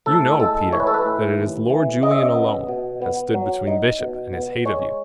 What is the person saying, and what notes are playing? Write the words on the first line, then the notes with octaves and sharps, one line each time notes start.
You know, Peter, that it is Lord Julian alone has stood between Bishop and his hate of you.
A2 A4
G#3 A4
E3 C#5
B4
A4
B4
A2
D#2
E3
C#3 D#5
E5
D#5
B3
B2
B3
F#3
D#4
B2
B3
G#3 C#5